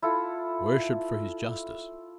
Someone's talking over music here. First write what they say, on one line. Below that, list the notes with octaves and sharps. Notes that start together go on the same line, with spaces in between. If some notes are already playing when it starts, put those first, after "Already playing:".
Worshipped for his justice!
E4 F4 A4